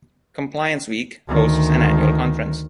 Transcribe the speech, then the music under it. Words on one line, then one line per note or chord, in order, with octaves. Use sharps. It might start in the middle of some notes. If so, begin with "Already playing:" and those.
"Compliance Week" hosts an annual conference.
D2 D#3